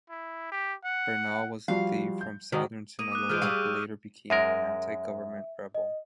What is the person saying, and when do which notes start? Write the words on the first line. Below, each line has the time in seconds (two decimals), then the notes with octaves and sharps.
Bernal was a thief from southern Sinaloa who later became an anti-government rebel.
0.10 E4
0.52 G4
0.85 F#5
1.68 F3 G3 F#4 F5
2.21 G6
2.52 D#3 F#4
2.99 A#3 D#6 D#7
3.12 D6 D#6 F#6
3.29 E3 F4 G#4 F6 G6 D7
3.42 G3 G#4 F5 C#6 E6
4.30 F#2 G#3 A#4 E5
5.75 D#5